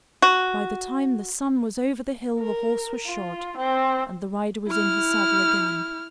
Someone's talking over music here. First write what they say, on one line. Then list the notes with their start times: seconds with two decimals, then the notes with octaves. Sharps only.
By the time the sun was over the hill the horse was shod, and the rider was in his saddle again.
0.22 F#4
2.39 A#4
3.07 F4
3.57 C4
4.67 E4 F6